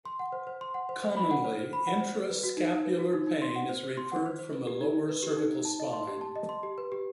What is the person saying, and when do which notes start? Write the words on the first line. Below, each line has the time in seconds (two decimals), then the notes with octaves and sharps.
Commonly intra-scapular pain is referred from the lower cervical spine.
0.05 C6
0.19 F#5
0.32 C5
0.47 C5
0.61 C6
0.74 F#5
0.89 C5
1.02 C5
1.17 B5
1.31 F#5
1.44 C5
1.59 C5
1.73 B5
1.87 F#5
2.00 C5
2.14 C5
2.30 B4
2.43 F#4
2.57 D#4
2.72 D#4
2.85 B4
2.99 F#4
3.13 D#4
3.27 D#4
3.42 C6
3.56 F#5
3.69 C5
3.83 C5
3.97 C6
4.12 F#5
4.26 C5
4.39 C5
4.54 B4
4.67 G4
4.81 D#4
4.96 D#4
5.09 B4
5.23 G4
5.37 D#4
5.52 D#4
5.65 A5
5.80 D#5
5.93 C6
6.07 G4
6.21 A5
6.36 D#5
6.49 C6
6.63 G4
6.78 B4
6.92 G4